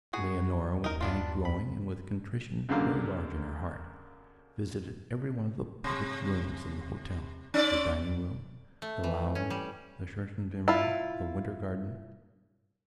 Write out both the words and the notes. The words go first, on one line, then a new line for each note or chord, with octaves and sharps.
Leonora, with panic growing and with contrition very large in her heart, visited every one of the public rooms of the hotel--the dining-room, the lounge, the schreibzimmer, the winter garden.
B3 F#4 G#4
D#2 D#4 A#4
B3 D4 F4
B5
C#2 F#2 D3 A#3 F5
C3
C#4 D5
A3
E3
C#4
G3
E4 F4